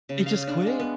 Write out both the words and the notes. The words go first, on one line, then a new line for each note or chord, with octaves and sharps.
They just quit?
C#3
F5
D4
G#3
B3